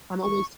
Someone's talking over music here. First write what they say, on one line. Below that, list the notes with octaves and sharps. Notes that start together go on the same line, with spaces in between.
I'm almost
C#6